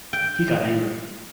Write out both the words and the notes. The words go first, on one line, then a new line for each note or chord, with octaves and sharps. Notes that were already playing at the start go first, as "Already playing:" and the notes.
He got angry.
G5